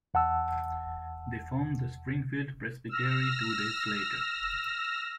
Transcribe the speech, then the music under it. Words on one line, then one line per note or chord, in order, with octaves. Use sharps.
They formed the Springfield Presbytery two days later.
E2 F#5 A5 E6
E6 F6 A#6